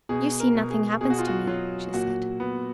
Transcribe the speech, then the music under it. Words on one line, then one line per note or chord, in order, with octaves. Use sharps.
"You see nothing happens to me," she said.
B2 G#4
A#4
B2
G#4
B2 G#4
F#4
F4
F#4
F#3 F4
A#2 F#4
B3